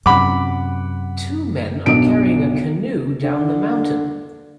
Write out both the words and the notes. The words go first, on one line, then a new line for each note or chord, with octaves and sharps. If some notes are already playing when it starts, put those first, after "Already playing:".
Two men are carrying a canoe down the mountain.
F#2 C3 F#5 B5 D6
B1 D4 D7
D3